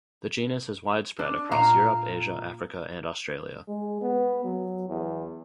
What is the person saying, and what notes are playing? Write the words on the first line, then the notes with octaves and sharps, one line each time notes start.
The genus is widespread across Europe, Asia, Africa, and Australia.
D4
A#2 F5 A#5
G#3
B3
F#3
E2